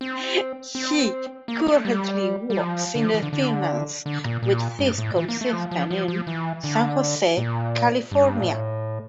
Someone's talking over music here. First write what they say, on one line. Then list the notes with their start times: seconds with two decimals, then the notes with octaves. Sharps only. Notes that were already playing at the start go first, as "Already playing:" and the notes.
He currently works in Finance, with Cisco systems in, San Jose, California.
0.01 C4
0.75 C4
1.48 A#3
1.66 A3
1.85 G3
2.50 G3
2.59 F3
2.95 D3
3.04 F3
3.14 E3
3.22 D3
3.33 D3
4.06 D3
4.25 A#2
4.42 A#2
4.79 G2
4.98 A2
5.16 E3
5.29 A#3
5.41 A3
5.53 F3
5.71 F3
5.91 F3
6.08 F3
6.27 E3
6.64 D3
7.37 A#2
8.11 G2
8.40 A#2
8.47 A2